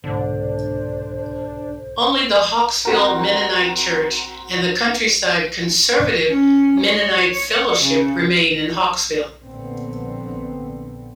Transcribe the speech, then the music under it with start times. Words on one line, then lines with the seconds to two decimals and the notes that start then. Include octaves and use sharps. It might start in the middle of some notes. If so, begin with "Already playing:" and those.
Only the Hawkesville Mennonite Church and the Countryside Conservative Mennonite Fellowship remain in Hawkesville.
0.04 C2 G#2 B2 D3 D4 C5
2.85 C4 F#4 A#4
6.29 C#4
6.82 C#5
7.80 C#3
9.42 A#1 A#2 D3 B3 C4